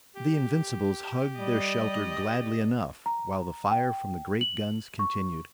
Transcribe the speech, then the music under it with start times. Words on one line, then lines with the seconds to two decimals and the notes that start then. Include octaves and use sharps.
The Invincibles hugged their shelter gladly enough while the fire from the great guns continued.
0.15 G4
1.39 G3 D5 D#5
3.06 A#5
3.71 G5
4.41 F#7
4.99 C#6